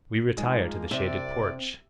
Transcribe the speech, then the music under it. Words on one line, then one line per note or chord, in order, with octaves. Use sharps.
We retire to the shaded porch.
F3 G#3 A#3 D#4
C2 C3 C4 D5 E5